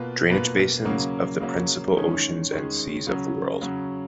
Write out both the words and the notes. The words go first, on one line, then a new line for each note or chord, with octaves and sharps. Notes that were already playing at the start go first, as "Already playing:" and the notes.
Drainage basins of the principal oceans and seas of the world.
Already playing: B2 A#3 F4 B4
B2 A#3 F4 B4
C#3 F#3 A#3 C#4
C#3 F#3 A#3 C#4
D#3 G#3 C#4 G#4
D#3 G#3 C#4 G#4
C#3 F#3 C#4
C#3 F#3 C#4